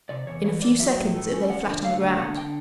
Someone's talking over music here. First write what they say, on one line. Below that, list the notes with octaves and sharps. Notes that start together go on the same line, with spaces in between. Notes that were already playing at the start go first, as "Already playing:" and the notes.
In a few seconds it lay flat on the ground.
C3 D5
E2 C#5
E3 C#5
E2 D5
F#3 E5
A2
A3
C#4
F3 F#5
D3
A3 F5
D3
D3 F#5
G5